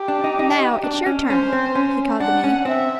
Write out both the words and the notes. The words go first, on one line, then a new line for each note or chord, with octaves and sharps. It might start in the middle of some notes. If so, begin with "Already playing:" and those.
"Now, it's your turn," he called to me.
Already playing: G4
D4
D#4
D#4
D4
C#4
C#4 C5
C4
C#4
D4 F#5
C#4
C4 E5